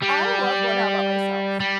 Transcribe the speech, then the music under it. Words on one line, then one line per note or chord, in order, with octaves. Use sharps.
I love going out by myself.
G3
G3